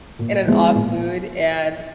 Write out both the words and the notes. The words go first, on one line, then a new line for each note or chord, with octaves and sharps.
in an off-mood, and
A#2
F3 G#3 B3 E4
A#2